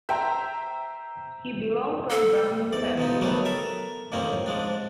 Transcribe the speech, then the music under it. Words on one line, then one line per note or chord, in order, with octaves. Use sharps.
He belong from Brahmin family.
C5 E5 G5 A#5
A4
E2 G#2 D5
B2 F3 D#4
D3 D#3 F#3 G3 A3 B3
A4 A#4 E5
A1 F2 D#3 A#3 C4 C#4
G#2 F3 G#3 D4